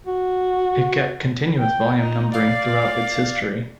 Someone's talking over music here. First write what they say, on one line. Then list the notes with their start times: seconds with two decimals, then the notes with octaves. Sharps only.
It kept continuous volume numbering throughout its history.
0.07 F#4
1.58 G5
1.99 D#4
2.34 D5 F5